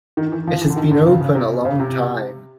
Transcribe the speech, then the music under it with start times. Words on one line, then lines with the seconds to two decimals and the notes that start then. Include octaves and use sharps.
It has been open a long time!
0.17 D#3
0.32 E3
0.47 F3
0.62 E3
0.70 D3
0.76 D#3
0.91 D3
1.06 C#3
1.21 C#3
1.35 C3
1.65 C#3
1.80 C3